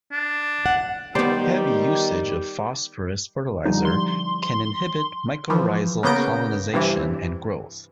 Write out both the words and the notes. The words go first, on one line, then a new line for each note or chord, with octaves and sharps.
Heavy usage of phosphorus fertilizer can inhibit mycorrhizal colonization and growth.
D4
F#5
D#3 G3 B3 G4 C5 D5
D3 F3 G3 D#4
C6
C6
E3 F3
C#3 A#3 B3 G6 A#6 D7
G2 C3 E3